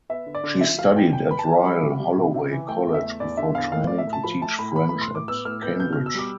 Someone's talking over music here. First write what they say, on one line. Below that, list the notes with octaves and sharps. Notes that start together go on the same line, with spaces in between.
She studied at Royal Holloway College before training to teach French at Cambridge.
B3 E5
D3
D5
D3
F3 E5
F3 F5
E2 G5
E2 G5
B3 B5
A5
F3
G3 B5
C3
G3
C3
C3
E3
A3 G5
E2
E5
A3
E2 D5
D3 E5
E2 F5
A2 F5
A2 D5
E5
A2
A5
F3 B5
A3 A5
A2 B5
B3 B5
A2 B5
C6
A2 D6
B3 E6
A2 F6
B3 G6
B2 G6
B2 F6
E6
G3 D6